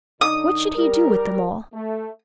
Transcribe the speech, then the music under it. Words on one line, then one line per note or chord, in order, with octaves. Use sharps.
What should he do with them all?
D3 D#4 D#6
G3 A#4
A3